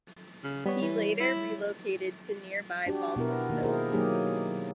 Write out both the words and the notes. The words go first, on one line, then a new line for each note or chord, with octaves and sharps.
He later relocated to nearby Baldwinsville.
C#3
G3 B3 C#5
E3
E4
D4 F#4 G4
B2 B3 E4 A#4
D#3 A#3
E4 G#4 A#4 C5
F#3 A#3 D#4 G4 G#4